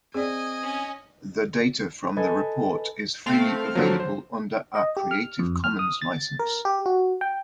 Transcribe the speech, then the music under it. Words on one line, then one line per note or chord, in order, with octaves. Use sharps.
The data from the report is freely available under a Creative Commons license.
C4 G#4 D5 D#5 G#5
C#4
A4 B4 D#5 G#5
A3 C4 F5
D3 F3 F#3
C5
D#5
G4
F6
F2
F6
D#6
A6
A#4
G4
F#4
G5